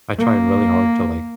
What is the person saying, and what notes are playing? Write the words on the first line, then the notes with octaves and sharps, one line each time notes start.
I tried really hard to, like
A#3